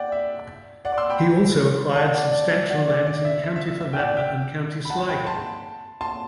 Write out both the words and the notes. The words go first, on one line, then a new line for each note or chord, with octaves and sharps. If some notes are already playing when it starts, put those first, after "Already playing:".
He also acquired substantial lands in County Fermanagh and County Sligo.
Already playing: D5 F#5 G5
E5
D5 F#5
D6
C6 E6
G5 B5
F#5 A5
D5 F#5
D5
E5
D5 F#5
D5
D5
E5
E5
E5
E5
E5
G5
D5 F#5
E5 G5
B5
F#5 A5
G5 B5
A5 C6
A5 C6